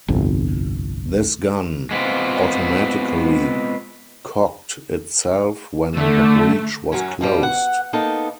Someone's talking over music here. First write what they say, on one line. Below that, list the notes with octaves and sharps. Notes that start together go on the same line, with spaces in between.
This gun automatically cocked itself when the breech was closed.
G1 C2 F2
G#3 B3 C4 F4
D3 A3
F#2 F#3 C#4
B2 F3 G3
F#5
A#3 B3 D#4 A4